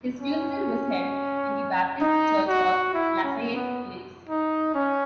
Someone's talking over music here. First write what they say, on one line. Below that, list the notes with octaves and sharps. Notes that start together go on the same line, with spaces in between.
His funeral was held in the Baptist Church on Lafayette Place.
C#4
D#4
F#4
E4
C#4
B3
D#4
C#4